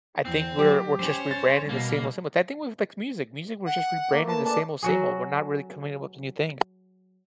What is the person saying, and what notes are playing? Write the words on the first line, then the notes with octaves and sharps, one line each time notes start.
I think we're we're just rebranding the same old same old I think we've vexed music. Music, we're just rebranding the same old same old. We're not really coming up with a new thing.
E2 C4
F#3 G4
C#4 C5 C#5
A6
B2 G3 A#3
F#5
A3 A#3
B4 A5
C#4 D4 D5 A5
F#3 F#4 G#4